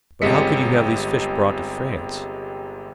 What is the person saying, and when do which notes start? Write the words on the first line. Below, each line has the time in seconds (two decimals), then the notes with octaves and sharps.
"But how could you have these fish brought to France?"
0.22 G1 C3 G#3 D#5 B6 C#7